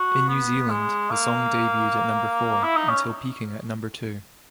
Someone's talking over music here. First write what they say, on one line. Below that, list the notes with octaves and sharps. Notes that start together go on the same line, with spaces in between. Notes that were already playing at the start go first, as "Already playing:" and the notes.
In New Zealand, the song debuted at number four, until peaking at number two.
Already playing: F#4
B3
G#3
A#3
E4
D#4
C#4